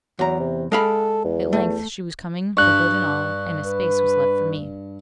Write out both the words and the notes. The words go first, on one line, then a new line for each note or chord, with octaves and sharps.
At length she was coming for good and all, and a space was left for me.
E2 F#3 A#5
C3
G#3 A4 F5 B5
E2
A3
G2 C#6 F#6
B4